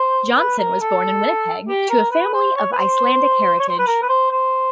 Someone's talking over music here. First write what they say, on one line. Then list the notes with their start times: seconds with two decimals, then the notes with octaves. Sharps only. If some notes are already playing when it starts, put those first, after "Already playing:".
Johnson was born in Winnipeg, to a family of Icelandic heritage.
Already playing: C5
0.36 B4
0.58 A#4
0.81 A4
1.68 G4
1.90 A#4
2.11 B4
2.34 C5
2.56 C#5
2.73 B4
2.77 C5
3.59 C#5
3.69 C5
3.79 B4
3.87 A#4
4.02 B4
4.09 C5
4.32 C5